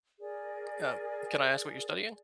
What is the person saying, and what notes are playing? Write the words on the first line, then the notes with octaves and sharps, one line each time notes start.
Uh, can I ask what you're studying?
G#4 A#4 D5